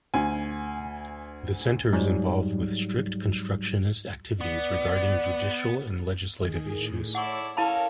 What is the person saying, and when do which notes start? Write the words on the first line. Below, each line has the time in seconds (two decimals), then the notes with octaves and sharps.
The Center is involved with "strict constructionist" activities regarding judicial and legislative issues.
0.14 D2 G#5
1.93 G#2 F#3 G3
4.41 B3 D5
6.38 D#3 G#4
6.74 A2
7.15 E4 A4 C#5 D5 F#5 C#6
7.57 C#4 E4 A4 A#4 F5 A5 B5